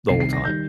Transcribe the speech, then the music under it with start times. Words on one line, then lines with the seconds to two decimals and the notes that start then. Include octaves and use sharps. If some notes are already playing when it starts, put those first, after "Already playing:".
the whole time.
0.09 C2 C3 D#3 C7
0.20 C7
0.33 A#6
0.45 D#3 G3 G6